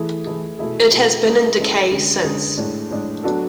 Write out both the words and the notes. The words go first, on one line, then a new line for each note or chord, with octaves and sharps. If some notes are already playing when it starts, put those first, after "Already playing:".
It has been in decay since.
Already playing: E3 A3 E4 G#4
E3 A3 E4 G#4
B2 A3 E4 G#4
B2 A3 E4 G#4
G#3 C#4 E4 A4
G#3 C#4 E4 A4
D3 G#3 C#4 G#4
D3 G#3 C#4 G#4
A2 G#3 D4
A2 G#3 D4
F#3 B3 D4 F#4 A4